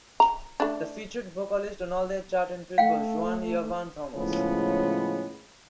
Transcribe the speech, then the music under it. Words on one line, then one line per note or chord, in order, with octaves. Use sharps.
The featured vocalist on all their chart entries was Joanne "Yavahn" Thomas.
A#5
A3 D4
A3 F5 G5
A2 C#3 F3 G#3 B3